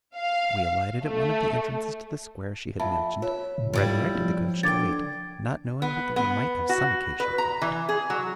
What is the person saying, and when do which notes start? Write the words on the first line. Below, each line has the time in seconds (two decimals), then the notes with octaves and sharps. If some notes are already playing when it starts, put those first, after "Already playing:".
We alighted at one of the entrances to the Square she had mentioned, where I directed the coach to wait, not knowing but that we might have some occasion for it.
0.16 F5
1.03 A3
2.80 F2 E5 A5 B5
3.22 F4 C#5 E5
3.58 A2
3.73 F2 G#2 G3 E4
4.15 F3
4.63 D3 G5 D6 G#6 A6
5.82 B3
6.16 B3
6.69 F#4
7.20 B4
7.38 A#5
7.62 E3
7.89 G#4
8.10 F#3